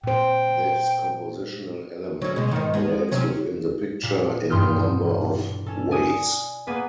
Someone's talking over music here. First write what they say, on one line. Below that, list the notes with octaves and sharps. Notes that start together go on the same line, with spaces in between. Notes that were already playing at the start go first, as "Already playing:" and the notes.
This compositional element operates within the picture in a number of ways.
A#2 C5 G5
F#3 C#4
B2 G#3
G#2 D#3
G#3 B3
C3 F#3 C#4
A#2
E1 G2 C6 D#6 F6 G6
C#4 A4
D5 G#5 D#6 D7
A#3 B3 G#4 B4